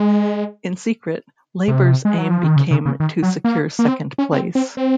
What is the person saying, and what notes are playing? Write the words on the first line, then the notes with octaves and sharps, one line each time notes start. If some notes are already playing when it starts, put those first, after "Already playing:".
In secret, Labour's aim became to secure second place.
Already playing: G#3
C3
G#3
F#3
F3
D#3
C#3
C#3
C#3
D#3
F#3
A#3
A#3
C4
C#4
C4
C4
C4